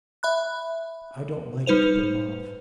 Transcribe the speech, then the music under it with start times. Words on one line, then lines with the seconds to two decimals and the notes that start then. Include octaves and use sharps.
I don't like to put him off.'
0.23 E5 B5 F#6
1.66 G3 D#4 B4 C5 F7